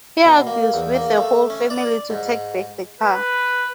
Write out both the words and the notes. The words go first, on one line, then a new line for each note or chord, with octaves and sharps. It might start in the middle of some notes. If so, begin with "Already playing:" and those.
He argues with the whole family to take back the car.
B2
A#3
E2
A#3
A3
C#4
D5
G#2
B4